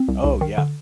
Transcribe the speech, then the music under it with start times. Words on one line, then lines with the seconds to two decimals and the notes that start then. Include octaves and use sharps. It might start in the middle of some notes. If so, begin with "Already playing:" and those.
Oh, yeah.
Already playing: C4
0.08 C2
0.24 C2
0.41 D#3
0.58 D3